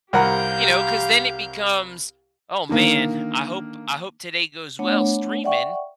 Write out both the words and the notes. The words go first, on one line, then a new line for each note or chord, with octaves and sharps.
You know? 'Cause then it becomes, "Oh man, I hope I hope today goes well streaming
C2 G4 A#4 F5 F#5 G6
D3 D#3 A#3
A3 B3 D4 C#5 F#5
D5 E5 F#5 G5 C#6